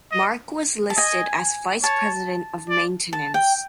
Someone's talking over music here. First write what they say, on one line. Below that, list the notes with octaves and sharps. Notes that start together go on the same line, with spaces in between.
Mark was listed as vice president of maintenance.
D#5
A5
D#5 G#5
C#5 A5
D5
A5
G5